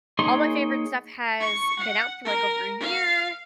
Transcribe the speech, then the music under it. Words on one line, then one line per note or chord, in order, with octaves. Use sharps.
all my favorite stuff has been out for, like, over a year
A#3 D#4 G#4 C#5 C6
C#6
F#5
A#4
F5